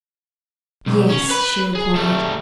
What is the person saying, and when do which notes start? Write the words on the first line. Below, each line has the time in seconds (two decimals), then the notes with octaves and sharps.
"Yes!" she replied.
0.87 B1
1.10 C#4
1.30 B4 B5
1.75 G#4
1.96 G3 A3